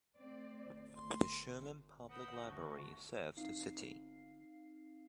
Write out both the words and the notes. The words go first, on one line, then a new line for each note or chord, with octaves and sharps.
The Sherman Public Library serves the city.
A3 C4 D5
A3 C6
A#4 B4 F#5 D#6 E6 G6
D2 D4 F#4
C4 D#4 F5 C7